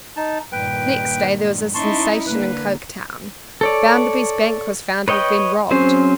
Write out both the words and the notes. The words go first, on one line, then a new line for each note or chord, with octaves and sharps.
Next day there was a sensation in Coketown. Bounderby's bank was found to have been robbed.
D#4 A5
G2 A#2 D#3 B4 G5
C#4 D#4 E4 A5 C6 C#6
D3 A#3 B4
A4 C#5 D5
B4 C#5 D#5 G5
F#3 C4 C#4 G#4 C5